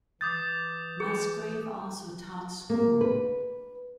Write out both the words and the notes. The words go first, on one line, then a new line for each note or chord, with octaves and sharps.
Musgrave also taught school.
E3 D6 D#6 G6 A6
G#4
A#3
B4